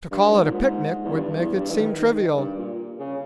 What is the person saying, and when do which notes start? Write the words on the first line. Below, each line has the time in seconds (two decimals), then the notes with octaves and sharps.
To call it a picnic would make it seem trivial.
0.12 G2
0.32 G#2
0.44 A#2
0.55 G#2
1.04 E2
1.15 G2
1.34 E2
1.55 G2
1.70 E3
1.76 D#3
1.96 D#3
2.37 G2
2.58 A#2
2.99 C#3